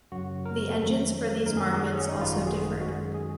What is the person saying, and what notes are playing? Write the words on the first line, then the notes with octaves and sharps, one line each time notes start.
The engines for these markets also differed.
F#2 C#3 F#3 F#4
A#4
F2 D#3 F#3
F#2 D#3 G#3 A#4
G#4
F#4
G#4
C#4
D#4
G#1 F#2 D#3 G#3
F4
F#4
G#4
F#2 D#3 G#3 F#4
G#4